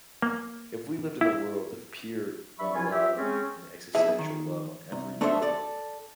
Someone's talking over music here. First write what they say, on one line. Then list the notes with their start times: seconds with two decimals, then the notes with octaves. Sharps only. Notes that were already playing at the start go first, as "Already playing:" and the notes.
if we lived in a world of pure love and existential love on every level
0.22 A#3
1.21 E4
2.59 G2 F#3 D5 E5 B5 C#6
2.75 C2 F3 E4 F4 G#5
2.92 F4 G4 E5
3.17 G#3 C4 C#4
3.95 B1 F2 E4 G#4 E5
4.19 D#3
4.92 C2
5.21 A3 D4 A4 C5 C#5 E5
5.42 A4 D5